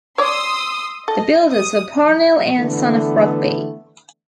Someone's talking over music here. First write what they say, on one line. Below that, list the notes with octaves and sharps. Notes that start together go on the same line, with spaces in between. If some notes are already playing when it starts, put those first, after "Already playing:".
The builders were Parnell and Son of Rugby.
C#5 D5 C6 D#6 E6
A4 D#5
D#6
D3 E3 A3 B3